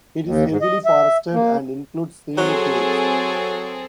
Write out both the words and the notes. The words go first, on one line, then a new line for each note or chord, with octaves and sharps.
It is heavily forested and includes scenic lakes.
D#2
G#2
D#5
E5
A#3
F#3 C4 G#4 A4